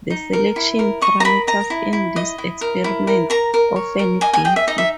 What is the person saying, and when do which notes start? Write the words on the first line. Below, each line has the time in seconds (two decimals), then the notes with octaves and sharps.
The selection parameters in these experiments often differ.
0.10 D#4
0.33 A#4
0.56 E4
0.79 A#4
1.02 D#5 C#6
1.20 A#5
1.25 A#4 B5
1.47 D#5 A#5
1.70 E4
1.93 E4
2.16 D#5
2.38 E4
2.61 A#4
2.84 E4
3.07 A#4
3.30 A#4 A#5
3.54 A#4
3.76 C#5
3.99 A#4
4.21 D#5 G#5
4.33 G#5
4.45 G#4 G5
4.56 E5
4.67 D#4 D#5
4.78 E5